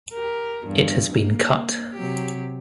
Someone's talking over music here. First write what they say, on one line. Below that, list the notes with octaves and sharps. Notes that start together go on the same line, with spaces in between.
It has been cut.
G4 A#4
E2 G2
A#3
C3 F#3 G4